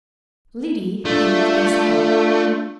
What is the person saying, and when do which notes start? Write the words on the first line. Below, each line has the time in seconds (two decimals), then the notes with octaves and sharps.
Liddy heaved a sigh.
1.05 A3 D4 F4